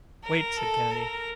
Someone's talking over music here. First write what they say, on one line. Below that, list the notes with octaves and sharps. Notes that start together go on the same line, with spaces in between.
"Wait!" said Kennedy.
A#4
A4
A#4